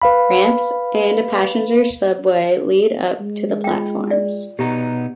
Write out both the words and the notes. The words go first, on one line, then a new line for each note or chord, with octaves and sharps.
Ramps and a passenger subway lead up to the platforms.
B4 F5 B5
G#3
F4 G5
D5
B2 B3 D#4 G4 A#5